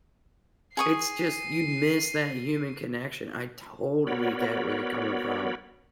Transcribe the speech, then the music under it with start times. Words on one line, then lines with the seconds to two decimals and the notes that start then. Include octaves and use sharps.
It's just you miss that human connection. I totally get where you're coming from.
0.77 G#4 C#6 D#6 C7 D#7
4.07 B3 F#4 A#4 C#5 D5 B5